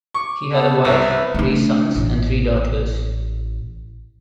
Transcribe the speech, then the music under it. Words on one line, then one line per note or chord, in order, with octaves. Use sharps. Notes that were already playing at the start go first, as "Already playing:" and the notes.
He had a wife, three sons, and three daughters.
C#6 D6
B3 A4
C2 B4 C5 E5 B5
A3 D4
A1